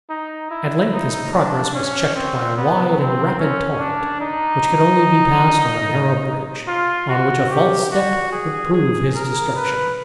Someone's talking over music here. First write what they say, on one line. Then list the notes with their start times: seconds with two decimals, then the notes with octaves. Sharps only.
At length his progress was checked by a wide and rapid torrent, which could only be passed on a narrow bridge, on which a false step would prove his destruction.
0.10 D#4
0.51 E4
0.93 D#4
1.33 D4
1.74 C#4
2.15 C4
2.57 B3
2.98 C4
3.39 C#4
3.80 D4
4.21 D#4
6.68 F4
7.09 F#4
7.50 G4
7.91 F#4
8.32 G#4
8.73 G#4
9.14 A#4
9.55 B4